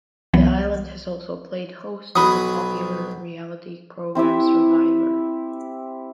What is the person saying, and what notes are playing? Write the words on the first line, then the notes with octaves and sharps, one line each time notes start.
The island has also played host to the popular reality program "Survivor".
C2 E3 F#3 B3
B1 F#3 B5 D#6
C4 E4 G4 E5